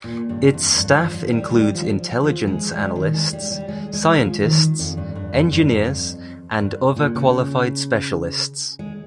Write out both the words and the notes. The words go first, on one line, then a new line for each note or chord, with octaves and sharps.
Its staff includes intelligence analysts, scientists, engineers, and other qualified specialists.
A#2
G2
F2
G2
F3
F3
G3
G3
F3
F3
G#3
G3
D#3
G#3
G3
G3
G#3
G#3
F3
D#3
F2
G2
G2
F2
G2
F2
G2
A#2
C#3
G#3